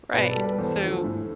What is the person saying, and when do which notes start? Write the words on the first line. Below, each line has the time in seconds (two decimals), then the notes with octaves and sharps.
Right, so
0.13 B2 B4 D5
0.31 G3 A4
0.45 B4
0.58 E2 A4 C5
0.82 D3 F3 A3
1.04 A2